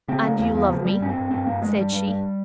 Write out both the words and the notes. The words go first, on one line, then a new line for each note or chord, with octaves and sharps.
"And you love me?" said she.
C#3 C4
C#3 A#3
E2 A#3
E2 A#3
C#3 F3
G2 G3
G2 C#4
C4
G2
G2 C4
G2 A#3
G2 G#3
G2 G3
G2
G2